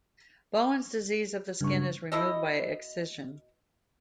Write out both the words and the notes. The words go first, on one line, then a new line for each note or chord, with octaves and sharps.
Bowen's disease of the skin is removed by excision.
G2 C#3 C#6
B2 E4 A4 D#5